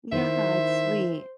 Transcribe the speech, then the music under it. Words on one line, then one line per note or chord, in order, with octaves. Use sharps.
Yeah, it's sweet.
D#3 E4 C5 E5